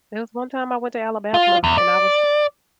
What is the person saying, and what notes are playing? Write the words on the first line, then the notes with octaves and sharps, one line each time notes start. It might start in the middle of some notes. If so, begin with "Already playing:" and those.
There was one time I went to Alabama, and I was
F4
E2
D5